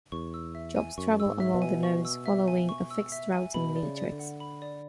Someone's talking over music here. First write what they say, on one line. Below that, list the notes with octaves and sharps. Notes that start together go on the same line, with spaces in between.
Jobs travel among the nodes following a fixed routing matrix.
E2 C#6
E6
E5
G#5
F#2 C#6
E6
G#2
E5
B2
G#5
C#6
E6
E5
G#5
C#6
E6
E5
G#5
B2 B5
D5
C#3
D5
D3
F#5
B5
D5